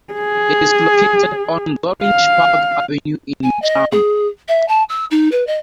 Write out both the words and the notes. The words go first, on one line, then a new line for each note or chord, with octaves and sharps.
It is located on Gorringe Park Avenue in Mitcham.
G#4
F5
G#5
D#5
G#4
E5
A5
E6
D#4
B4
D#5